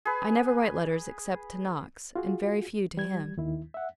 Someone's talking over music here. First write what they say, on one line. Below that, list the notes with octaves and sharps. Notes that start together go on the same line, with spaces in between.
I never write letters except to Knox, and very few to him.
G#4 B4
F4 F#4 G#4
G3 G#6
D#2 D#3 E4
E5 F#5